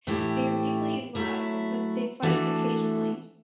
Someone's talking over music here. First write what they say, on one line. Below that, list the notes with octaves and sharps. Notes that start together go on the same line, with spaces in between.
They are deeply in love, but they fight occasionally.
A2 E3 A3 E4 G4
F#3 A3 E4
E3 A3 D4 F#4 A4